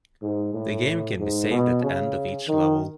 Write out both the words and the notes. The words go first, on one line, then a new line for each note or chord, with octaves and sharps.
The game can be saved at the end of each level.
G#2
A2
G#2
B2
C#3
D#3